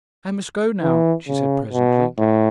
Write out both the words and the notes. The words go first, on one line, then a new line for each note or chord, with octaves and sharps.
'I must go now,' she said presently.
E3
C#3
B2
A2